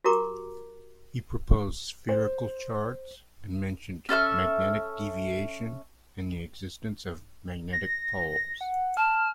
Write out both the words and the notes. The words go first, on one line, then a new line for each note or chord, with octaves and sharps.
He proposed spherical charts and mentioned magnetic deviation and the existence of magnetic poles.
F#4 G4 A#4 A#5 D6
C5
C#4 A4 E5 F6
A#6
F#5
A5 F6